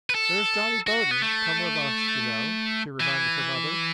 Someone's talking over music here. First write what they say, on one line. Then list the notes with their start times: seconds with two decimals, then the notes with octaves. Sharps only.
"There's Johnny Bowden come with us, you know," she reminded her mother.
0.10 B4
0.15 A4
0.87 F#4
1.11 B3
1.22 A3
3.00 E3